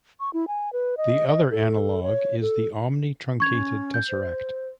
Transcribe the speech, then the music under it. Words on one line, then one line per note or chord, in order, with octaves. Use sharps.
The other analogue is the omnitruncated tesseract.
C#6
E4
G#5
B4
D#5
D#5
A4
C#5
A4
C#4 C#6 G#6 F7
G6
C5